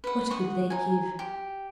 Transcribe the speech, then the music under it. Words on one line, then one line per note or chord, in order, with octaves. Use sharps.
What could they give?
B4 F#5
D#5 F#5 C#6
D#4 G#5
G4